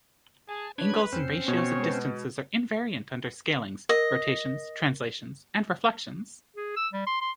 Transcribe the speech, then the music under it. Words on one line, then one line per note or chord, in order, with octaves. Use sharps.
Angles and ratios of distances are invariant under scalings, rotations, translations and reflections.
G#4 G#5 A5
C#4 D4 B4 C#5 B5 G#6
F2 C4 C#4 C5
B2 B3 C#5 C#6
G#3 B4
A#4 D#5
G#4
E6
G3
C6
C6